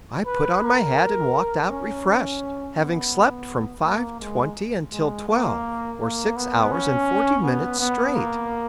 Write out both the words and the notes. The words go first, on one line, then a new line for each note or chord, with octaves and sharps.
I put on my hat and walked out refreshed, having slept from five-twenty until twelve, or six hours and forty minutes straight.
B4
A#4
C#4
B3
A#3
G#3
G#3
A#3
A#3
B3
C#4
B3
B3
A#3